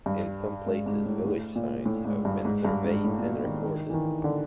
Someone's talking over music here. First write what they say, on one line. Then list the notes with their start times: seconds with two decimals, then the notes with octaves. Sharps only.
In some places village signs have been surveyed and recorded.
0.06 G2
0.66 G#2
0.86 G#2
1.06 A2
1.25 A2
1.56 A#2
1.86 A2
2.05 G#2
2.25 G2
2.45 G#2
2.65 G2
2.85 G#2
3.04 A2
3.19 A#2
3.24 B2
3.44 D#3
3.64 D#3
3.90 E3
3.94 D#3
4.24 D3